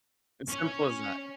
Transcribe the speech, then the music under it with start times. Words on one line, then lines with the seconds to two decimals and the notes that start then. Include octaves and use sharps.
It's simple as that.
0.48 C#4 C#5